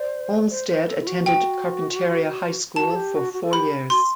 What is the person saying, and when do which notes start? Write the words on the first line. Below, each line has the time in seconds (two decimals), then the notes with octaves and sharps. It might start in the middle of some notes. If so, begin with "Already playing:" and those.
Olmstead attended Carpinteria High School for four years.
Already playing: C5 D5
0.50 C5
0.69 C5
0.88 A4
1.02 E4
1.07 F#4
1.26 G5
2.76 F#4 A5
2.91 A4
2.96 G4
3.15 F#4
3.33 F#4
3.43 A4
3.52 G4 B5
3.90 F#4 C6